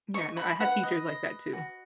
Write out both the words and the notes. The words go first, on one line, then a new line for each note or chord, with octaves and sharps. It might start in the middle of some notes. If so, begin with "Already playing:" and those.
Yeah, no, I had teachers like that too.
D#5 C#6
B5
B4 F#5
D#5
D#5
F#4